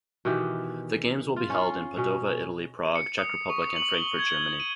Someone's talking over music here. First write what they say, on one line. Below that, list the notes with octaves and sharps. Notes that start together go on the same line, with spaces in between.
The games will be held in Padova, Italy, Prague, Czech Republic and Frankfurt, Germany.
B2 D#3 E3 G4
F4
C#4 F4
B2 C#4
C#7
D#6
C#6
D#6
F#7
G7
G#6
G#6
D#7